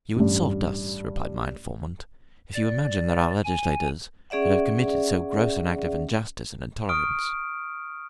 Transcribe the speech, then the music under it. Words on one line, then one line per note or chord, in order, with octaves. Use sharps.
"You insult us," replied my informant, "if you imagine that our legislators could have committed so gross an act of injustice and intolerance."
A1 G2
D5
G#5
C#4 G#4 D5 E5 F#5
C#6 D#6 F6 D7